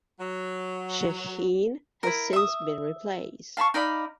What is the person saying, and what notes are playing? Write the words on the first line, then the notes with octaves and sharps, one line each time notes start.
Sheheen has since been replaced.
F#3
E4 A#4
E5 D#6
F5 A5 B5 C#6
D#4 D5 F5 B5